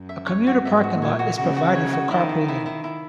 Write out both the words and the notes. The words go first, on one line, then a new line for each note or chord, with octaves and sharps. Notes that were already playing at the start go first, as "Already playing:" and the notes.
A commuter parking lot is provided for carpooling.
Already playing: F#2
E5
C#5
F#4
G#2 E5
F#4
A#2 C#5
F#4
C#3 F#4
F#4
C#5
F#4
D#3 E4
E4
E4
E4
E4